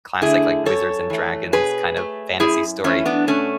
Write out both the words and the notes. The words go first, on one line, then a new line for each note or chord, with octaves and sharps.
classic, like, wizards and dragons kind of fantasy story,
D3 A3 E4 G#4
F#2 A4 C#5
E3 A3
B2 G#4 B4
A3
F#2 E4 G#4
E3 A3 C#4 E4
B3 D4
B2 A3 C#4